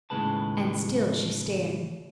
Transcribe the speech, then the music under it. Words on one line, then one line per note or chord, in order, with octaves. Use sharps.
And still she stared.
D#2 A2 C#3 G#3 B4 A5